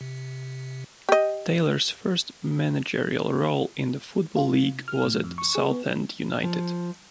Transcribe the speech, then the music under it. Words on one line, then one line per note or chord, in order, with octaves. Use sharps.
Taylor's first managerial role in the Football League was at Southend United.
C3
G4 D#5
F4
C3
F6
A2
F2
C#6
G#4
B3
F3